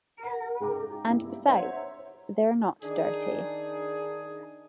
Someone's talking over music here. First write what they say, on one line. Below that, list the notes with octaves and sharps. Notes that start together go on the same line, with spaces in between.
And besides, they’re not dirty.
F#5
G#2 C#3 G#3 G5 A#5 D6
G2 A#3 B3 E4
C5 C#5 E5 F#5 A#5 C6
D#3 D4 D#4 G#4